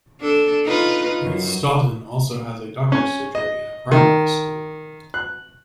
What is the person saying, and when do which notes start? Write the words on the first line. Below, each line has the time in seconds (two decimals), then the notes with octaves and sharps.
Great Staughton also has a doctor's surgery and a primary school.
0.20 D4 A4
0.65 D#4 F4 B4
1.23 F#2
2.92 C#4
3.35 D#5
3.91 D#3
5.14 F#6